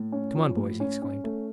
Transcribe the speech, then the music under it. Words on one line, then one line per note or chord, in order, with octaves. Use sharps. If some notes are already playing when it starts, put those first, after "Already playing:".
"Come on, boys!" he exclaimed.
Already playing: A2
C#4
F3
A2
C#4
C#4
A3